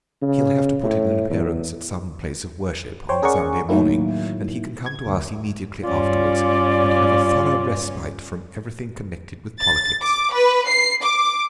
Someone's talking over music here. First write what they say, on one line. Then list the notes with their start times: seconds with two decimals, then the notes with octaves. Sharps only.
He’ll have to put in an appearance at some place of worship on Sunday morning, and he can come to us immediately afterwards and have a thorough respite from everything connected with politics.
0.22 C#3
0.83 A2
1.30 E2
3.09 C5 C#5 G5
3.22 C#4 G#4 A#4 D5 F#5 C#6
3.69 A2 D#3 F#3 A#3 E4
4.86 G#6
5.07 D2
5.84 G2 C#4 F4 D5
9.61 A6
10.01 D6
10.33 B4
10.69 C7
11.02 D6